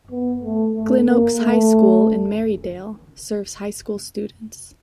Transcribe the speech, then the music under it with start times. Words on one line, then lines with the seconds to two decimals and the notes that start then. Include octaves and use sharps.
Glen Oaks High School in Merrydale serves high school students.
0.11 B3
0.43 A3
0.76 A3
1.08 A#3
1.41 A3